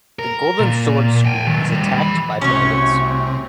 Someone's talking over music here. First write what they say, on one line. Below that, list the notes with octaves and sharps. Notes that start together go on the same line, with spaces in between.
The Golden Sword school is attacked by bandits.
A#4
A#2
G5 G#5
D#3 F#3
D#2 G3
E3 B5
C2 C3 A3 C#4 F#4 C#5 C#6